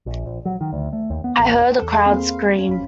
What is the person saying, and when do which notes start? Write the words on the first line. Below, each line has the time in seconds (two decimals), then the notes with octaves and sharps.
I heard the crowd scream.
0.06 A#1
0.26 A#1
0.45 F#3
0.61 D#3
0.73 D2
0.93 A3
1.10 D#2
1.24 B3
1.38 A1
1.52 E1
1.79 E2 A4
1.91 G#4 F5 B5 C6
2.06 A#3 C4
2.28 F5
2.57 F#2 C#4
2.69 G1 B5